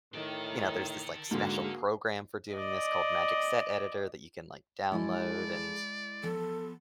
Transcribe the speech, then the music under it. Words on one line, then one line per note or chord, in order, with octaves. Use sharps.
you know, there's this, like, special program for doing this called Magic Set Editor that you can, like, download and
A2 D#3 A4 D5
G#2 D3 A#3 F#4 G#4
D5 D#5
F3 G#3 E4 G#4 A4 D5
F3 B3 A4